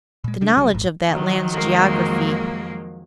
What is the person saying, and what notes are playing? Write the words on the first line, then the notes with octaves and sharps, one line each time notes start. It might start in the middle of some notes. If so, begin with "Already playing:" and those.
The knowledge of that land's geography . . .
A#2 G#3
C3 G3 G#3 D4
C2 C#3 F#3 G3
D#1 G#1 G#2
D#3 F3 F#3
F2 G#3 A#3